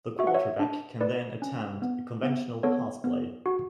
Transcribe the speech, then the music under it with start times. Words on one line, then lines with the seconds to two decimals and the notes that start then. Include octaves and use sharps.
The quarterback can then attempt a conventional pass play.
0.19 F#4 E5
0.27 F#5
0.34 C#5 E5
0.60 D4
1.01 E4 B4 D5
1.42 C#4
1.82 B3
2.23 B3
2.63 B3 A4 C#5
3.04 B3
3.46 F#4